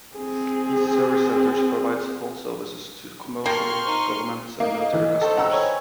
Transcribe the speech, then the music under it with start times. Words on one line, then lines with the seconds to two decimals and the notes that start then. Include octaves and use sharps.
These service centers provide support services to commercial, government and military customers.
0.16 C4 G#4
3.46 A#3 G5 A5 C6 C#6 F6
3.83 D#4 C5
4.60 A#3 D#4 D#5
4.93 E3
5.21 A4 C5 C#5 G5
5.37 F#5 A#5 E6
5.53 B4 C#5 G#5 D6